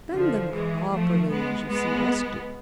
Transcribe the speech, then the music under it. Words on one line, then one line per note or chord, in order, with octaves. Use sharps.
Bend them properly, as you see us do.
D3 F3
E3 G#3
F3 A3
G#3 B3
G#3 B3